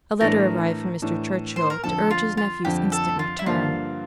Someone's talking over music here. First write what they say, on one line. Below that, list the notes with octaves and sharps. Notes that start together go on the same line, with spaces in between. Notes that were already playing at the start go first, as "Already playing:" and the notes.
A letter arrived from Mr. Churchill to urge his nephew's instant return.
A2 E3 A3 D4 A#4
A2 E3 A3 D4
C5
A#4
F2 D3 F3 A4
F4
F4
F2 D3 F3 G4
A4
F4
E4
G2 D3 F3 A#3 F4